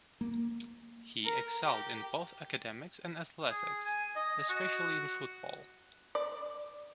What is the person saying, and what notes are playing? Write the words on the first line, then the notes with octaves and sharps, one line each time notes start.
He excelled in both academics and athletics, especially in football.
A#3
A#4
G4
G#4
G#5
D#5
F#4
D5